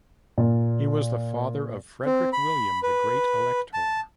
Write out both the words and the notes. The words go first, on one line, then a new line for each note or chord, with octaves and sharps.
He was the father of Frederick William, the "Great Elector".
A#2
C4
B5
B4
A5